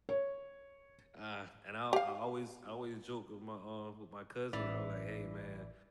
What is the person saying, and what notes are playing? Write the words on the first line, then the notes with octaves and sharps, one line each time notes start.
Ah, and I al I always I always joke with my um, with my cousin I was like, "Hey man,
C#5
G4 F5
A1 E3 D5